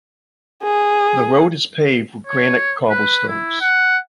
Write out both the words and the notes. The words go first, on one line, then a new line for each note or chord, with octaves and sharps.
The road is paved with granite cobblestones.
G#4
C#5
B4
E4
F#5